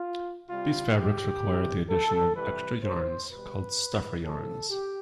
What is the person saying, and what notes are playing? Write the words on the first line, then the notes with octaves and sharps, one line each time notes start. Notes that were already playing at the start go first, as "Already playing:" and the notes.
These fabrics require the addition of extra yarns, called stuffer yarns.
Already playing: F4
C3 G3 F4
G4
C3 E3 G3
A4
C3 E3 G3 B4
C5
B2 G3 B4
A2 F3 A4
G4